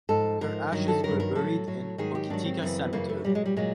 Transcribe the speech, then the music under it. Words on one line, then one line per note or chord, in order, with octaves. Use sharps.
Her ashes were buried in Hokitika Cemetery.
G#2 F3 A4
G#2 F3 A#4
G2 D#3 F#3 A#4
A4
G2 D#3 F#3 A#4
A#4
A2 F#3 A4
A2 F#3
G#2 D#3 F#3 G#4
G4
G#2 D#3 F#3 D4
C4
F#2 C#3 E3
F#2 C#3 E3 A#3
A3
A#2 F#3 G3
G#3
G3
A#2 F#3 G#3